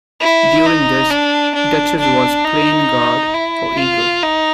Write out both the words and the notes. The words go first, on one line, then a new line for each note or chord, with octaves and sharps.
During this, "Duchess" was plane guard for "Eagle".
E4
D#4
D4
D4
D4
D#4
E4
F4
D#4